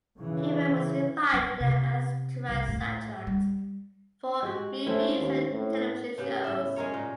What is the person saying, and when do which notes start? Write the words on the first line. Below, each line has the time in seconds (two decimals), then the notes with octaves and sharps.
Hubert was invited and asked to write soundtracks for movies and television shows.
0.18 C#3 E3
1.33 F#3
1.60 C3
2.48 C2
2.68 A2
3.27 G3
4.42 G#3 F#4 G4
4.86 A3 C4 C#4 E4
5.16 D#2
5.51 A2
6.18 C#3 B3 G4
6.44 A2 E5
6.76 G#3 C#4 A#4 C#5
6.94 A#2